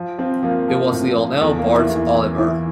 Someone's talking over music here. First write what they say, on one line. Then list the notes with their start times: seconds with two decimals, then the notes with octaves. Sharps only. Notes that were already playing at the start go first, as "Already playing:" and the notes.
It was Lionel Bart's Oliver!
Already playing: F3
0.18 F3 C4
0.43 F3 A#3
0.68 F3
0.92 A2
1.17 F3
1.41 E2 A3
1.58 A#3
1.65 E3
1.78 E4
1.89 E2
1.96 E4
2.14 E3
2.38 E3 E4